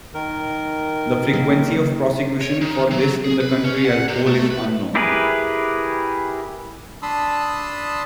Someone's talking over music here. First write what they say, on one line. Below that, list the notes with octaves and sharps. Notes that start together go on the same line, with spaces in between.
The frequency of prosecutions for this in the country as whole is unknown.
D#3 A#4
C#3 F#3 A#3
C#5
D#3
F#3
G#4
B4
C#4
F#5
C3
A3
B4
E4 G4 G#4 A#4 B4
D4 A5 B5 C6 D#6 E6